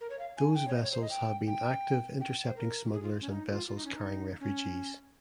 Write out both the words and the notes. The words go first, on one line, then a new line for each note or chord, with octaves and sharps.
Those vessels have been active intercepting smugglers and vessels carrying refugees.
A#4
C#5
F5
G#5
G5
C#5
D#5
C#5
C5
D#5
G5
G5
G5
C5
A#4
G#4
F4
C#4
D#4
F4
F4
D#4
C#4
D#4
C#4